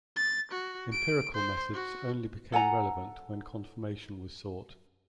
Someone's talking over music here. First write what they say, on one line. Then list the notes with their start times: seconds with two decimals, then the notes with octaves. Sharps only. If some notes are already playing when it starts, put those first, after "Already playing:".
Empirical methods only became relevant when confirmation was sought.
0.16 A6
0.51 F#4
0.92 D7
1.34 C5
1.73 F#4
2.52 A4 F#5 G#5 A#5